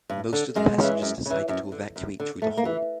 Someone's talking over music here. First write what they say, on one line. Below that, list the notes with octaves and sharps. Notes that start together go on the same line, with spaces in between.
Most of the passengers decided to evacuate through the hole.
G2
D3
F#2 G#3
C#3 E3
F#2
C#3 E3
F#2
D3
F#2
D3
G#2 A3
A#3
E3